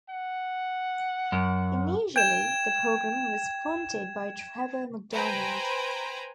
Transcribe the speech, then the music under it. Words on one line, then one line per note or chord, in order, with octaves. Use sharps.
Initially, the programme was fronted by Trevor McDonald.
F#5
F#2
G5 G#6 E7
B4 C5 G5 G#5 A#5 B5